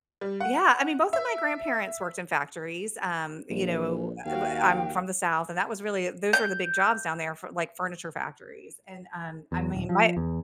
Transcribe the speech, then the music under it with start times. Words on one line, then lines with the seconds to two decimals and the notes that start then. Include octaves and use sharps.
Yeah, I mean, both of my grandparents worked in factories, um, you know, eh w I'm from the South, and that was really those were the big jobs down there for, like, furniture factories, arnd, um, I mean, my
0.21 G3
0.40 F#5
1.13 E5
3.50 A#1
4.25 D#2 F#4 F5 G5
6.33 G6
9.52 E2
9.74 D#1
9.89 F3
10.17 E2